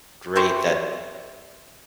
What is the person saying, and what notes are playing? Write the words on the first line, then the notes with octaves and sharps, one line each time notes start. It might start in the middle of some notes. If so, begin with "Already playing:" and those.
great that,
E3 G4 C5 C#6